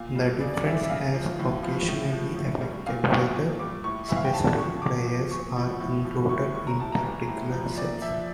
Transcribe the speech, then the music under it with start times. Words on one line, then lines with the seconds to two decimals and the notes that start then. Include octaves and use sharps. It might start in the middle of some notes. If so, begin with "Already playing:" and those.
The difference has occasionally affected whether specific players are included in particular sets.
Already playing: A#2 F5
0.16 G3
0.40 C#3 D5
0.54 D5
0.65 E3 G3 E5
0.83 E5
0.89 C#3 F5
1.14 F3
1.39 A2
1.63 F3
1.88 A2
2.13 F3
2.36 A2
2.61 G3
2.86 A#2 F5
3.11 F3 C#6
3.35 A#2
3.59 G3 D6
3.84 A2 C#6
4.09 E3 G3 E5
4.16 F5
4.25 G5
4.33 C#3 A5
4.58 F3 C#6
4.82 A#2 D6
5.07 F3
5.31 A#2 C#6
5.56 F3
5.80 A2
6.05 F3
6.29 A2 C#6
6.54 G3 C#6
6.67 A#5
6.79 A2 A5
6.92 A#5
7.03 E3 G3
7.28 A2
7.52 F3
7.77 A#2 D5
8.02 F3 E5